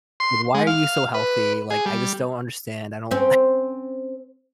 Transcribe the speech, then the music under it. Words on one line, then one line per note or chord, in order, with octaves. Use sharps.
Why are you so healthy, like, I just don't understand." I don't
C6
G#3
F5
B4
G#4
G3
C4 C#4